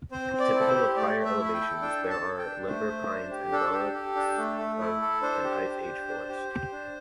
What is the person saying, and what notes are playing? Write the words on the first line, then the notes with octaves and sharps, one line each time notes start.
Typical of higher elevations, there are limber pines and relicts of an ice-age forest.
C4 C5
C4
D5
E4
A4
C5
G4
A3 D5
A3
E5
E4
E5
G5
A4
D4 G5
A4
A5
A4
G5
D4
A3 C5
A3
D4
G4
D4 A4
G4
G4
D4
A3
A3
E4
A4
D4 C5
G4
G4
D4
D4
G4
G4
D4